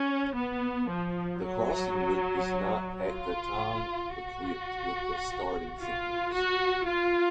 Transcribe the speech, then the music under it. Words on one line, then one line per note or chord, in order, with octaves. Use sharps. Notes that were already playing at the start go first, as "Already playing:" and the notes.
The crossing loop was not at that time equipped with starting signals.
Already playing: C#4
B3
F3
F#3
F4
F#4
F4
F#4
F4